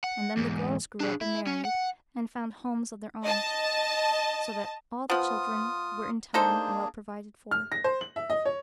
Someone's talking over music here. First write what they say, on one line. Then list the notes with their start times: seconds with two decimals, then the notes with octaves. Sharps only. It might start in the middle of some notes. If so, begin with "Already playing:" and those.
And then the girls grew up and married, and found homes of their own, so that all the children were in time well provided for.
0.04 F#5
0.37 E2 G#2
1.00 D4 G#4
1.21 E4
1.47 C#4
1.65 F#5
3.23 D#5 A5
5.10 F3 B3 F4 D#6
6.34 A#3 D4 D#4 G#4 A4 C5
7.51 F6
7.72 A#6
7.84 C5
8.01 F#7
8.16 E5
8.30 D#5
8.45 C#5